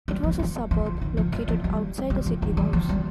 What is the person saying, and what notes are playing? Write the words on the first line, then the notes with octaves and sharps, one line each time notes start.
It was a suburb, located outside the city walls.
G3
F3
F3
F3
F3
D#3
F3
G3
F3
G3
G3
F3
D#3
G3
F3
G3